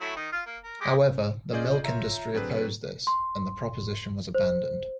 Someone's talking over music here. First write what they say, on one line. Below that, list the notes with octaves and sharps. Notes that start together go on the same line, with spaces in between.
However the milk industry opposed this, and the proposition was abandoned.
F#3 A3 E4
D#3 D#4
F4 F5
A#3
A#4
G#3 G4 D6
C#4 F4 G#4 D5 D#5 G6
F4 C#5 E5 A#5
F#3 C4 D4 G#4 B4
C6
C5